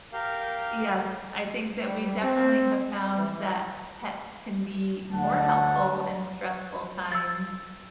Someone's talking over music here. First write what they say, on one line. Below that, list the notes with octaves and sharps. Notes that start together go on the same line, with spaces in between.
yes, I think that we definitely have found that pets can be more helpful in stressful times
G4 A#4 F5 G6
G3
C4
E3
D2 F#3 F#5 A5
E6 A6